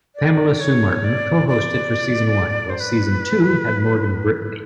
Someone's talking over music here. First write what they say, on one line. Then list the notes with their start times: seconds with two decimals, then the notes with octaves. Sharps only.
Pamela Sue Martin co-hosted for Season One, while Season Two had Morgan Brittany.
0.15 D5
0.60 C#5
1.04 D5
1.48 D5
2.70 C5
2.80 B4